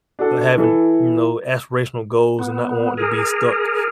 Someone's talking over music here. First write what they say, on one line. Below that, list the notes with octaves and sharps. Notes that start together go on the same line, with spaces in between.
uh, having, you know, aspirational goals and not wanting to be stuck
D4 F#4 A4
E3 E4 A4
B3
G#4 A#4